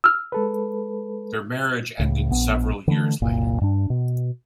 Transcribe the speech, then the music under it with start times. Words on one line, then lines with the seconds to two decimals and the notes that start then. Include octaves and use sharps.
Their marriage ended several years later.
0.04 E6 F6
0.32 G#3 A4 B4
1.99 C#2 A2
2.30 A#1 B3
2.88 D3 E3 G3 A3
3.22 F#1 C2 A#2
3.61 G2 D4
3.90 B2